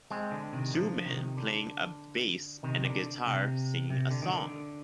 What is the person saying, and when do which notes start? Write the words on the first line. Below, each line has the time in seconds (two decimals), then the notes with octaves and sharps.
Two men playing a bass and a guitar singing a song.
0.11 G#3 C4
0.32 D3
0.53 C3 D#3
0.73 D3 F3
1.06 C3 D#3
1.37 D3
2.63 C3 D#3
2.85 D3
3.27 C3
3.90 C3
4.11 D3
4.22 D#3
4.32 D3